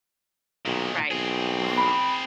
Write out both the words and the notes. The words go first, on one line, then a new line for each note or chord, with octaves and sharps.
Right, wow.
B1 A#2 D#3
B1 C4 G#4
B5